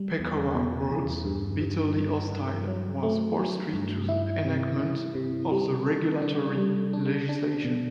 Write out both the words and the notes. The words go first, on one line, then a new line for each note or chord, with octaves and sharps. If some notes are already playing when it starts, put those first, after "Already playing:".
Pecora wrote: Bitterly hostile was Wall Street to the enactment of the regulatory legislation.
Already playing: G3
E2
B2
E2
G2
G2
G2
G2
F#3
A3
F#3
G2
E4
C3
E4
C3
G3
A4
D4
G3
D4
D4
B2